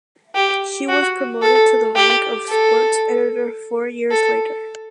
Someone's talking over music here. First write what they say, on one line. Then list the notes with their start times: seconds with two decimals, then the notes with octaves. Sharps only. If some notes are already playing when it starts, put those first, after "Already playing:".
He was promoted to the rank of Sports Editor four years later.
0.35 G4
0.89 F#4
1.42 A4
1.97 G4
2.50 A4
4.11 A4